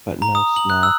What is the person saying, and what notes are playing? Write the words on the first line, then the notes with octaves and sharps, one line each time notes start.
But no snuff.
A#5
D#6
F#7
F#6
E6